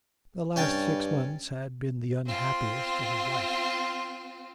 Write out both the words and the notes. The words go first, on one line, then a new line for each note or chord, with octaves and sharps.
The last six months had been the unhappiest of his life.
G2 C#4 G5 A5
C4 F4